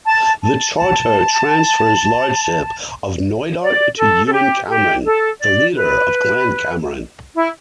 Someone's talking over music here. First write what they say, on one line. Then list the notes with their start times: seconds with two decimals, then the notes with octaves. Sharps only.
The charter transfers lairdship of Knoydart to Ewen Cameron, the leader of Clan Cameron.
0.06 A5
0.42 A5
0.77 A5
3.62 D5
3.97 A4
4.26 A4
4.33 G4
4.69 G4
5.04 A4
5.40 D5
5.75 B4
7.35 E4